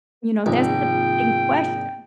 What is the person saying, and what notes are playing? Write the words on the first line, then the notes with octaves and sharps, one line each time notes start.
You know, that's the big question.
A#1 G#2 C3 D#3 F4 G5